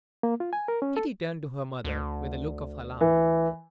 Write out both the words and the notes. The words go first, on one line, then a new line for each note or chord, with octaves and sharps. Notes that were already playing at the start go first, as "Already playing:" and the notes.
Kitty turned to her mother with a look of alarm.
A#3
F4
G#5
A#4
C#4
A4
D2
E3